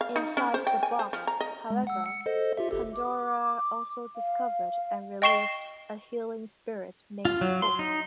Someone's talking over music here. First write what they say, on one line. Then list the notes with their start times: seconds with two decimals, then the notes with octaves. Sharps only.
Inside the box, however, Pandora also discovered and released a healing spirit named Hope.
0.01 F5
0.16 D#4
0.37 C#4
0.54 C5
0.67 G5
0.83 G#5
0.99 C5
1.13 F3
1.27 A#5
1.40 D#5
1.70 G#3
1.87 F#5 E6
2.06 C#7
2.26 A4 C5 D#5
2.57 F4 G4 E5
2.71 G1 G4 A4
2.94 D6
4.16 F5
5.22 D#5 G5 C#6 C7 E7 G7
7.25 F4
7.41 F#3
7.62 C6
7.79 D#4